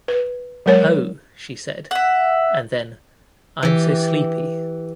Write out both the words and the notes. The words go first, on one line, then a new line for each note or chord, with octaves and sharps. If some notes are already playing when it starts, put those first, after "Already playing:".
"Oh," she said — and then: "I'm so sleepy."
B4
F#3 G#3 A#4 C#5
E5 F#5
E3 G4